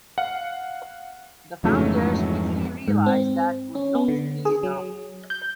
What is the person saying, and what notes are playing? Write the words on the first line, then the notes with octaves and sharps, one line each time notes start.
The founders quickly realize that would not be enough.
F5 F#5
F2 G#2 C#3 E3 F#3 A3
G#2
C4
C#4
B3
D3
G#4
F#3
G6